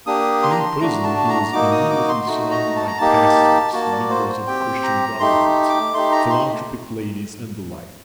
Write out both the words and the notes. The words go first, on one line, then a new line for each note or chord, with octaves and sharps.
And in prison he was immediately surrounded by pastors, members of Christian brotherhoods, philanthropic ladies, and the like.
A#3 D4 G4 D#6
C6
A#5
C6
A3 D4 F#4 A#5
A5
A#5
A#3 D#4 F#4 D6
D#6
D6
C6
A3 D#4 F#4
A#5
A5
A#5
A#3 D#4 G4 A5
A#3 F#4 A5
D5
C5
C5
C4 G4 G5
A#5
A3 D#4 G4 C6
D6
A3 D#4 G4 C6
A#5
C6